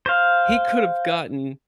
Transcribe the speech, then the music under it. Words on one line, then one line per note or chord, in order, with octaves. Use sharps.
he could have gotten
C5 F5